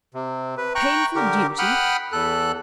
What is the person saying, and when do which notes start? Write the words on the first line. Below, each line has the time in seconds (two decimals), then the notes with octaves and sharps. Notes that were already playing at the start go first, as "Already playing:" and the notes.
"Painful duty!"
0.14 C3
0.57 B4
0.75 G5 A#5 C#6 F#6
1.16 D3 G4 A#4
1.59 F#5 G5 B5 D#6 F6 F#6
2.12 E2 A4 F#6